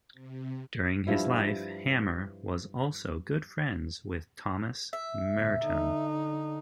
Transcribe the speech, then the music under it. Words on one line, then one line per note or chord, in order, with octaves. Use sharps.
During his life, Hammer was also good friends with Thomas Merton.
C3
G2 F3 E4
E5
G1 A#2
D3 D#4